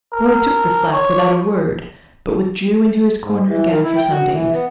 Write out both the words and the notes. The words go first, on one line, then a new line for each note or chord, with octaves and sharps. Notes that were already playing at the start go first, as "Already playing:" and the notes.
The boy took the slap without a word, but withdrew into his corner again for some days.
A#4
C#5
G#2
E3
D#3
E4
G5
F#4
E3
B3